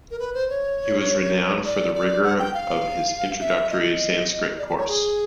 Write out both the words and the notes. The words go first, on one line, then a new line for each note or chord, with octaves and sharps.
He was renowned for the rigor of his introductory Sanskrit course.
A#4
B4
C5
C#5
D5
D5
F#5
G5
F5
E5
D#5
D5
D5
C#5
G#4